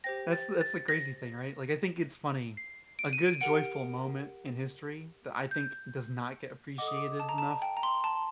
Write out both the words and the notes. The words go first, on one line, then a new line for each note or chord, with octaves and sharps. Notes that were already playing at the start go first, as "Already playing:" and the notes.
that's that's the crazy thing, right, like, I think it's funny, a good joyful moment in history that I think does not get appreciated enough
G4 C5 G5 A#6
A6
A6
A#6
C7
D7
D#7
D7
G4 A#4 F#5 D7
G6
A4 D#5 F#5 D6
D#6
D6
A5
A#5
A5
G5
A#5
C6
A5